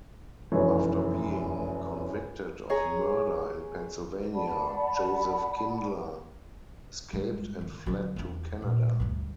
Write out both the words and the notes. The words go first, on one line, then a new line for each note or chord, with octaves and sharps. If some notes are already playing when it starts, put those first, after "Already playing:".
After being convicted of murder in Pennsylvania, Joseph Kindler escaped and fled to Canada.
F1 F#2 E3 C#5
G#4 C#5 G#5 A#5
D5 F#5 A5 B5
G2 G#3
D#3
D3 F#3
E2 D4
A#2
D2 G2